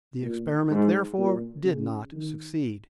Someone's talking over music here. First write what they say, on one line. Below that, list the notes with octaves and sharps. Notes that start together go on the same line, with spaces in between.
The experiment, therefore, did not succeed.
A#2
G#2
A#2
C#3
D#3